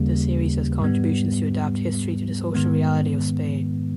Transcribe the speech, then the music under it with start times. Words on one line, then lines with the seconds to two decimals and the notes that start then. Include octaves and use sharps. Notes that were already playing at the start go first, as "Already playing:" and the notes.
The series has contributions to adapt history to the social reality of Spain.
Already playing: D#2 C#3 G3 A#3
0.80 G#2 G3 B3
2.54 G#2 D#3 G#3 B3